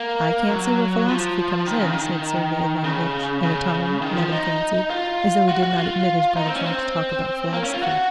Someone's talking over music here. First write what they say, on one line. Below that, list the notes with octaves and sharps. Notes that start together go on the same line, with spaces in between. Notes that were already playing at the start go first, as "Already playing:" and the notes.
"I can't see where philosophy comes in," said Sergey Ivanovitch, in a tone, Levin fancied, as though he did not admit his brother's right to talk about philosophy.
Already playing: A#3
F#3
F3
D#3
C#3
D#3
C#3
C#3
D#3
F3
D#4
F4
F#4
F#4
F4
D#4
C4
C#4
C4
A#3
C#4
F4
F#4